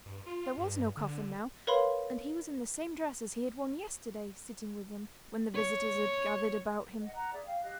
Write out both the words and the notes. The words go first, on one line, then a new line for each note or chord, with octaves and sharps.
There was no coffin now, and he was in the same dress as he had worn yesterday sitting with them, when the visitors had gathered about him.
G2
F4
G2
D3
A#4 B4 C#5 F5 B5 C6
C#5
D#5 F#5
F#5 A#5 F#6
G#4 D5 E5
F5 G5
G4 D#5 F5 F#6